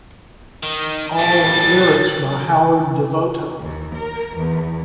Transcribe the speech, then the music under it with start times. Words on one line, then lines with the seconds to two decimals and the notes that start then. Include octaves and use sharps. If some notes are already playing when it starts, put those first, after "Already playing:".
All lyrics by Howard Devoto.
0.63 D#3
1.18 A2 G3 A6
3.60 D#2
3.94 A#4
4.37 E2